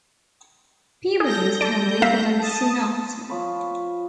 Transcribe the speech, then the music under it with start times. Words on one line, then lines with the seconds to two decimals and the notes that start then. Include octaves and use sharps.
Peabody's family followed soon after.
1.20 G#4 A4 G6 A#6
1.61 D5 A5
2.02 A#3 E5 F5
2.39 A5 D#6
3.29 F3 C#5 B5